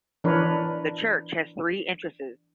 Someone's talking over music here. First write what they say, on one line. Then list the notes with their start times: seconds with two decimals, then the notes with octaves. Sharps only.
The church has three entrances.
0.24 E3 F3 D4 A#4 B4 C#5